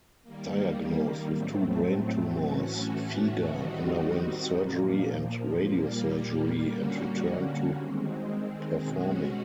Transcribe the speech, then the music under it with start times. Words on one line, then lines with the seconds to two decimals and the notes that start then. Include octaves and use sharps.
Diagnosed with two brain tumors, Fieger underwent surgery and radiosurgery and returned to performing.
0.23 D#3 G3 A#3
1.31 A2 F#3 A3 C4
2.38 A2 E3 A3 C#4 F#4
3.45 D#3 G3 C4 D#4 F#4
4.53 A#2 F3 A#3
5.61 A#2 G3 A#3
6.68 D3 G3 A#3 C#4 F#4
7.75 D#3 G#3 C4
8.83 B2 G#3 C#4 F#4